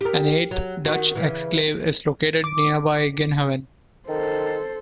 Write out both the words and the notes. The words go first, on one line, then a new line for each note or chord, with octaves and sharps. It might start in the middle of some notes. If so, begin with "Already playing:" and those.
An eighth Dutch exclave is located nearby Ginhoven.
G4 A#4
F#3
D#3 F#4
C#3 E3
D6
D#3 A4 C5